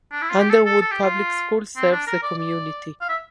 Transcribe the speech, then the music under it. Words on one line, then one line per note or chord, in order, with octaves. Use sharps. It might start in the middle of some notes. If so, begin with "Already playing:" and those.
Underwood Public School serves the community.
D4
E4
F4
G4
A4
A4
A4
G4
F4
C4
D4
A#4
D5
D5
F5
E5